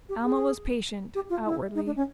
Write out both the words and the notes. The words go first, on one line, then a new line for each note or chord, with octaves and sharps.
Alma was patient--outwardly.
G4
G#4
G4
F4
E4
D#4
D4
C#4